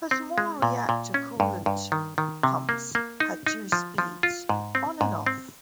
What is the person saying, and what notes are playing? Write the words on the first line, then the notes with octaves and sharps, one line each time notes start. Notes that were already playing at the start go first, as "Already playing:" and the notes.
Her small reactor coolant pumps had two speeds: On and Off.
C4
G#3
A#2
A#2
C#4
G2
G2
D#3
D#3
C3
A#3
A#3
D#4
D#4
F3
F3
F4
G#2
C4
G#2
C4